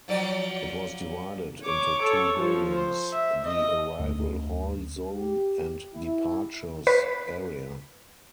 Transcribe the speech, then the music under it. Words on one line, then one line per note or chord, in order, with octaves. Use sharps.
It was divided into two buildings: the arrival hall zone and departures area.
F3 F#3 D5
C#5 D6
A4 C#5
F3
C5
E5
D#5
D2
G4
E4
B4